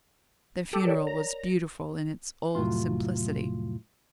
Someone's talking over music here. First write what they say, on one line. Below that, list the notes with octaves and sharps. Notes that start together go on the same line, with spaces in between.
The funeral was beautiful in its old simplicity.
G4 A4
A#4 C#5 D5
A#5
C2 F2 A2 F#3 F4 C6